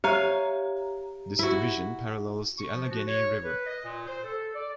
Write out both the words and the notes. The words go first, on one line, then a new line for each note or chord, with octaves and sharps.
This division parallels the Allegheny River.
G4 C#5 F5 A#5
E4 F#4
C#6
F3
F#4
C#5
B4
D#5
A#2
C5
A4
D5